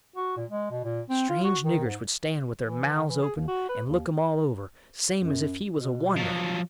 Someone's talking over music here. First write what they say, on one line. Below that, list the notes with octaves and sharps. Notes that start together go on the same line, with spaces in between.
Strange niggers would stand with their mouths open and look him all over, same as if he was a wonder.
F#4
A#2
G#3
B2
A#2
C4
F4
F#4
D#3
G#2
E3
D3
E3
G#4
D#2
F#4
B4
D#2
F#2
B2
F3 F#3